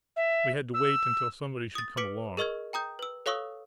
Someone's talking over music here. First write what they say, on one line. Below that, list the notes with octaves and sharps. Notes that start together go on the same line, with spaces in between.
We had to wait until somebody should come along.
E5
E6
D#6 A6
B4 D6 B6 C#7 D7
G#4 A#4 D#5 C#6 F6 G#6
G5 A#5 D#6 G6
B4 E6
A4 C#5 F5 C#6 D#6 E6